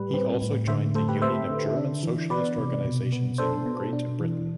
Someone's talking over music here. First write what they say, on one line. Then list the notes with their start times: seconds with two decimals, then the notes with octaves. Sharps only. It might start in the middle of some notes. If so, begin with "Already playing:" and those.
He also joined the Union of German Socialist Organisations in Great Britain.
Already playing: A2 G3 B4
0.13 C4
0.42 A2
0.68 D3 C5 E5
0.95 A3 A4 C5
1.08 G4 B4
1.22 C4 C5 E5
1.50 D3
1.76 D4
2.03 E3
2.30 B3 B4 D5
2.58 C3
2.85 B2
3.12 B3
3.38 D4 A4 C5
3.66 B2
3.93 D4
4.20 E3